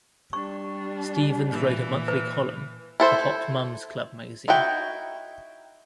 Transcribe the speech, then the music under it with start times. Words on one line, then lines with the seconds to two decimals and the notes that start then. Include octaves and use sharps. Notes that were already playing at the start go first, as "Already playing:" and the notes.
Stevens wrote a monthly column for "Hot Mom's Club" magazine.
0.33 G3 D4 C#6
1.48 A#2 E3
2.08 B4
3.00 E4 A4 C5
4.48 D#4 E4 F#4 G5